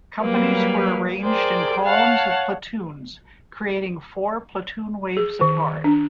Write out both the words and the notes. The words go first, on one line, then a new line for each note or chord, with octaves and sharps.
Companies were arranged in columns of platoons, creating four platoon waves apart.
F#3 G3 A#3 B4
G#4 A#4 C5 D5 G5
C#5 F5 F#5 A5
G#4
D#3
D4